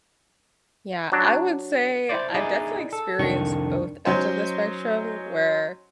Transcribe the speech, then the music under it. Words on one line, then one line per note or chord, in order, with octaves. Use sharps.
Yeah, I would say, I've definitely experienced both ends of the spectrum, where
F#3 D4
E4 C5 D5
D#4 E4 G#4 D5
A4
C2 F2 D#3 D4 C#6
F#3 C#4 D#4 C5